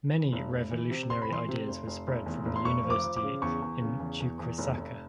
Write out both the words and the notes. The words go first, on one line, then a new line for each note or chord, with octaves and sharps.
Many revolutionary ideas were spread from the University in Chuquisaca.
E3
F1
F1
E3
C3
C3 C6
B5
E3 C6
C3
F1
F1
F1
E2
F1
C6
F1 C#6
F3
D6
F3
D6
C#3
E2 C#6
E2
C#3
E2
E2
E2
F1
F1